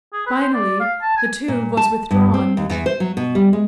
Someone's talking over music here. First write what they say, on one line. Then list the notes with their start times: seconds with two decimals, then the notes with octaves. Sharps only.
Finally the tube was withdrawn.
0.13 G#4
0.27 B4
0.39 C5
0.54 D5
0.80 F5
1.02 A5
1.17 G#5
1.48 A#2
1.77 A5
2.11 G2
2.34 C4
2.57 D#2
2.70 E2
2.86 C5
3.00 F#3
3.17 B2
3.35 G3
3.53 G#3